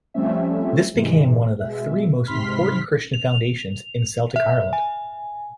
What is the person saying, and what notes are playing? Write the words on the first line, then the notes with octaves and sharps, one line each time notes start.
This became one of the three most important Christian foundations in Celtic Ireland.
F3 G3 A3 C4 C#4 E5
G#2 C3 E3 G#3
B2 G#3 E5
G#2 C3 B5 C6 F6 B6
F7
E5
G#5